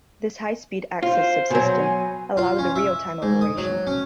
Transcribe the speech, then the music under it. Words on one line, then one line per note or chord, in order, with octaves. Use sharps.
This high-speed access subsystem allowed the real-time operation.
F4 C5
B2 F#3 G#5
F4
C#4
E5
G#2
D#6
F#3
C#4